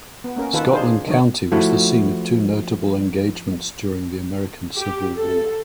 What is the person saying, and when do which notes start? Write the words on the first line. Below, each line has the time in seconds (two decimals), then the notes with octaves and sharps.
Scotland County was the scene of two notable engagements during the American Civil War.
0.24 B3
0.36 A#3 C#4 A#4
0.53 D#3 F4 A4 B4
0.73 D4 D#4 F4 G#4 C5
1.07 D3 D#3 F#3 A3 D#4 C#5
1.52 F3 A3 E4 F#4
4.76 G4
5.15 A4